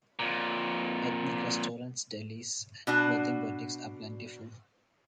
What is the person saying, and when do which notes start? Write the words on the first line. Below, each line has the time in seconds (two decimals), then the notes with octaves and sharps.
Ethnic restaurants, delis, and clothing boutiques are plentiful.
0.19 F2 A#2
2.87 B2 D4 F#4